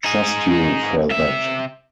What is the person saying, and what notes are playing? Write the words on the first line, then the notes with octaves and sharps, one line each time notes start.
Trust you for that!
D#4 G#4
C3 E5